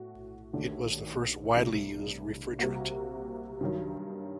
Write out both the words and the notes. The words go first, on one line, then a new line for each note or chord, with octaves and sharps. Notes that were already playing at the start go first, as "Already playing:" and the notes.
It was the first widely used refrigerant.
Already playing: A2 A3 F#4
D#2 D3 A3 D4 F#4
C2 C3 F#3 A3 D4
C3 G3 A#3 F#4
G2 D#3 F#3